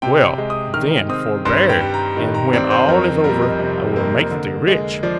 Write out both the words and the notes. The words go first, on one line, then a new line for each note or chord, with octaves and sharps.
'Well, then, forbear; and when all is over, I will make thee rich.'
C3 G5
G#3
D#6
D#3 F6
C4 D#6
G2 C6
G5
G3
A#5
D#3
A#5
C4 D5
C5
F2 A#4
G3 A#4
D#5
C3
A#3
D3
G#3
F3 D5